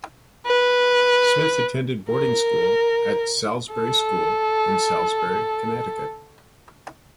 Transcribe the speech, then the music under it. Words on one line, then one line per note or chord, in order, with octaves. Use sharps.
Smith attended boarding school at Salisbury School in Salisbury, Connecticut.
B4
A#4
A4